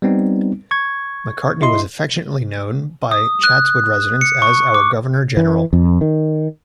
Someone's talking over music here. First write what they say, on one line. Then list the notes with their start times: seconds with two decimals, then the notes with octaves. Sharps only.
Macartney was affectionately known by Chatswood residents as "our Governor General".
0.02 G3 B3 C4 D#4
0.71 C#6 G#6
1.62 E4 D#5 C6
3.11 D#6
3.44 F#6
4.21 C#7
4.42 C#6
4.74 D6
5.37 E3
5.73 F2
6.01 D#3